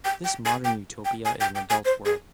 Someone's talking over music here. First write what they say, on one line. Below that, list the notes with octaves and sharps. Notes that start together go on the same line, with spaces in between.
This modern Utopia is an adult world.
G5
G5
G#5
G5
G5
G#5
G5
G5
G#5
C5
G#4